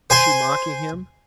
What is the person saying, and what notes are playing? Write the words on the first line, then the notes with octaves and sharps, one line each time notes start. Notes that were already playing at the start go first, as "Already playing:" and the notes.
Was she mocking him?
C5 G#5 C6